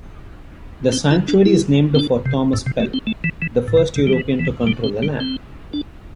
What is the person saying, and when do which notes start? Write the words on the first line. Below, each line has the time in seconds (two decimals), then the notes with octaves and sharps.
The Sanctuary is named for Thomas Pell, the first European to control the land.
0.92 C4
1.11 E4
1.28 D4
1.46 E4
1.95 C4
1.99 D4
2.26 C3
2.53 A2
2.66 C3
2.80 A3
2.94 C4
3.07 A3
3.24 E3
3.42 E3
3.68 A2
3.77 C3
3.96 C3
4.07 G3
4.13 E3
4.39 E3
4.67 G3
4.84 C4
5.03 G3
5.20 C4
5.73 D4